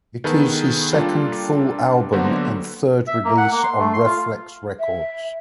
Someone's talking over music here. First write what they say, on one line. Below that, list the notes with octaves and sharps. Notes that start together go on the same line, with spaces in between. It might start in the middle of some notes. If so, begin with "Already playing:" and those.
It is his second full album and third release on Rephlex Records.
D#3 B3 G#4 A4 B4
G3 A#3 D4 F4 G4 A4
D3 F#3 A#3 B3 F#4 C5
E5
A#3
F#5
A#3
C6
A3
C6
F4
E5